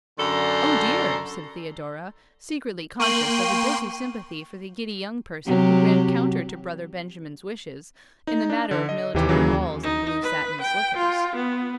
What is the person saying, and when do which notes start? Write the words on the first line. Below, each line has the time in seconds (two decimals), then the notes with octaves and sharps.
"Oh, dear!" said Theodora, secretly conscious of a guilty sympathy for the giddy young person who ran counter to brother Benjamin's wishes, in the matter of military balls and blue-satin slippers.
0.19 F#2 D3 A4 D5 A#5 C6
3.00 A#3 G5 C6 C#6 D#7 F#7
5.46 C3 F#3 G4
8.27 D#4
8.50 D4
8.71 D3
8.89 D#5
9.15 D#2 C3 E3 G4
9.29 C#3 E3 F#3
9.83 D#4
10.22 B4
10.61 G5
10.97 F4
11.35 B3